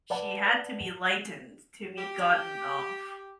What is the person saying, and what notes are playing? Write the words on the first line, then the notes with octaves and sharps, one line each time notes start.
She had to be lightened to be gotten off.
B4 D5 F#5 A5
G4